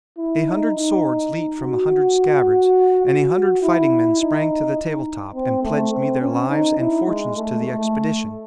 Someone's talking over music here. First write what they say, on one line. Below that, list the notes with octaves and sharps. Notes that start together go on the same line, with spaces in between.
A hundred swords leaped from a hundred scabbards, and a hundred fighting-men sprang to the table-top and pledged me their lives and fortunes to the expedition.
E4
D#4
D#4
F#4
F#4
E4
D#4
C4
A3
C4
C#4
D#4
E4
G#3
A3
A3